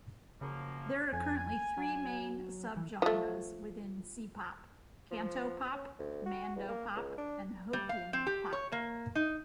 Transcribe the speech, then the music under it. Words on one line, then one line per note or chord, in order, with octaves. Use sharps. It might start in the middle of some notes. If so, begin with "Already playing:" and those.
There are currently three main subgenres within C-pop: Cantopop, Mandopop and Hokkien pop.
F#2 C#3 F3 A#3
F2 G#5
F#3
E3
F3 A3
F3
C#4
D2
F#4
E2
A#3
C#2
D4
G3
F5
C4
G4
C#5
A#3
D#4